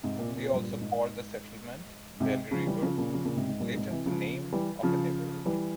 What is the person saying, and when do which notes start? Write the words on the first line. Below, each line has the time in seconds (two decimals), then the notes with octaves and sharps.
They also called the settlement "Belle River", later the name of a neighborhood.
0.03 G#2 C3
0.19 A#2
0.28 C3
0.36 A#2
0.44 C3
0.53 G2 A#2
0.70 A#2
0.81 G#2
2.20 G#2 C3
2.51 C#3 F3
2.67 E3 G3
2.82 C#3 F3
2.98 A#2 C#3
3.14 C#3 F3
3.25 A#2 C#3
3.36 G#2 C3
3.48 G#2
3.60 G2 A#2
3.76 G#2 C3
3.91 C3 E3
4.06 C#3 F3
4.52 E3 G3
4.83 C#3 F3
5.45 E3 G3